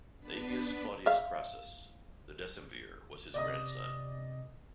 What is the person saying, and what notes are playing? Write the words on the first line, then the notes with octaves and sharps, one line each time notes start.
Appius Claudius Crassus, the decemvir, was his grandson.
B3 D4 B4 B6
E5 F5
C3 D5 D#5 D#6